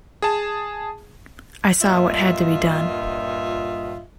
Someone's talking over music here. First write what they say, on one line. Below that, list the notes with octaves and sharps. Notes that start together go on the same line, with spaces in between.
I saw what had to be done.
G#4 A5
G2 A#2 F4 D#5 E5